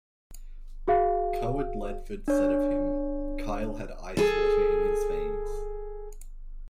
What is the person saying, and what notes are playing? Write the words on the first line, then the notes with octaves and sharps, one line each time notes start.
Cawood Ledford said of him, Kyle had ice water in his veins.
F#4 G#4 F5
D4 C#5
G#4 A4